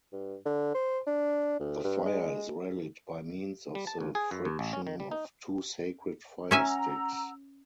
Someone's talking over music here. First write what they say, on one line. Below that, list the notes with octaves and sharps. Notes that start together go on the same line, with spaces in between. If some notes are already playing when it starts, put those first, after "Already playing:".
The fire is relit by means of the friction of two sacred fire-sticks.
G2
D3
C5
D4
D2
G2
G#3
G3
A5
D2
G#4
F#2
D#2
A1
C#4
D#3
G3
D#4
C#4 E5 F#5 G#5 A#5 E6